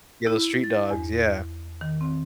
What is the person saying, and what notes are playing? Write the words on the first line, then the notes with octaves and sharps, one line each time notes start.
Yeah, those street dogs, yeah.
E4
A6
E2
D#3
C4